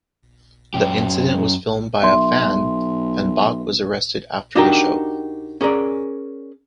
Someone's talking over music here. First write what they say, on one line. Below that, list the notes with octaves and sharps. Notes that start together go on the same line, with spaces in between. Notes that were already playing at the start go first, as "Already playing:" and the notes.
The incident was filmed by a fan and Bach was arrested after the show.
F#2 G4
B1 E5 C6
D4 D#4 F#4 G4 A#4 G5
C#4 G#4 A#4 D5